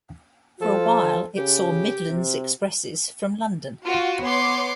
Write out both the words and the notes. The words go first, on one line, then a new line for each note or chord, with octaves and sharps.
For a while it saw Midlands expresses from London.
F3 A4
C#3 G4
C3
F4 F#4
B3 C#5 C6 D6